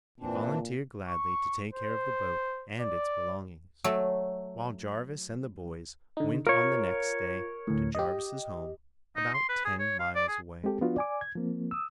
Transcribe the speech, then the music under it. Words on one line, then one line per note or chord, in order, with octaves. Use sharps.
He volunteered gladly to take care of the boat and its belongings, while Jarvis and the boys went on the next day to Jarvis's home about ten miles away.
A#2 E3 C4 D4
C#6
C5
D5
F#3 A3 A4
D3 D#4
F4 A#4 C#5
D2 A2
G4 D#5
D#4
C6
B4
G#4
C#5
F5
D5
G#4
G#3 C4 G4 A4
F3 B3 D4 F4 F#4
D5 G#5 D6
G#6
F3 A#3 C4
D#6 E6